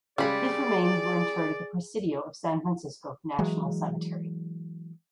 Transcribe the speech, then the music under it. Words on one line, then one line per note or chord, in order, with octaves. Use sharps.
His remains were interred at the Presidio of San Francisco National Cemetery.
C#3 G3 G#3 G#4 D5 B5
E3 F#3 G#3